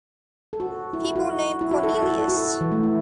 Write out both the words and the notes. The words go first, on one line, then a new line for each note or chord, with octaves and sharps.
People named Cornelius.
A4
F#4
E4
F#4
F#4
E4
F#4
A4
A4
F#4
E4
A4
F#4
E3
A3
E4